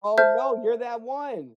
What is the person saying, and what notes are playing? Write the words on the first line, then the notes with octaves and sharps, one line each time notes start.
Oh, no, you're that one!
C5 E5 A5 F6 G6